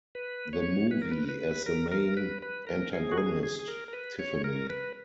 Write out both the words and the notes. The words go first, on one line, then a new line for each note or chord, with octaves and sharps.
The Movie as the main antagonist, Tiffany.
B4
C#5
B4
A#4
B4
B4
A#4
A#4
B4
B4
A#4
G#4
F#4
G#4
G#4
G#4
A#4
A#4
B4
C#5
A#4
B4